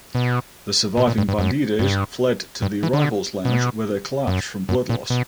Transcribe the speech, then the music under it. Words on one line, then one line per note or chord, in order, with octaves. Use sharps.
The surviving Bandidos fled to the arrivals lounge where they collapsed from blood loss.
B2
A#2
A#2
G2
G2
F#2
G2
G2
E3
D3
B2
F#2
F#2
A#2
B2